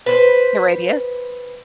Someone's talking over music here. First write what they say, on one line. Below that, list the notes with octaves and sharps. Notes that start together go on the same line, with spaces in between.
The radius.
B4 C5